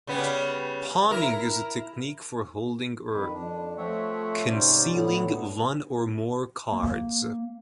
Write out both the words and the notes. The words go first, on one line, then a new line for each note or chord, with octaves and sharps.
Palming is a technique for holding or concealing one or more cards.
C#3 G3 B3
E4 A#4
F2 D#3 B4
F2 D4
F3 A3 C4 C#5 E5 F#5
G#2 C3 C#4 C5 D5
A2 D3 F#3 B3
A#3